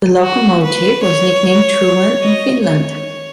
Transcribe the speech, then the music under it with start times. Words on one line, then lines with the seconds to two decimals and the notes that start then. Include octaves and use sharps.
The locomotive was nicknamed "Truman" in Finland.
0.22 F#4
0.63 B4
1.03 C#5
2.22 D#5
2.62 C#5